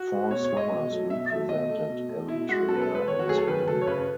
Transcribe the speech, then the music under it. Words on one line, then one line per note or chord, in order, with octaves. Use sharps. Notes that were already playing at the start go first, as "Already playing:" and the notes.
Four swimmers represented Eritrea in swimming.
Already playing: F#4
G#3
B2 C#5
C#5
G#3
D#5
B2
F#3 A3
B2 E5
F#3 A3 E5
B2 D#5
A3
B2
A3
B2 E4
G#3 F#4
B2 A4
B4
A4
G#3
B4
D#3 C#5
F#4
F#3 A3 G#4
A4
D#3 B4
F#3 A3 A4
C#5
C#3 B4